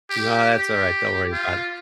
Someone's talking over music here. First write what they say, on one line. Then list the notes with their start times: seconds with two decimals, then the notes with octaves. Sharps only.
No, that's alright. Don't worry about it.
0.10 G4
0.50 G4
1.32 F4